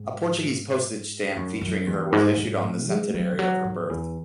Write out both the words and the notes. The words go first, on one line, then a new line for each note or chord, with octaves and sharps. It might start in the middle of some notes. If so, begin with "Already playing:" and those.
A Portuguese postage stamp featuring her was issued on the centenary of her birth.
Already playing: G#2
F#2
F#2
E2
G#2
G#2
A2
G#3
F#3
E3
F#3
G#2
E2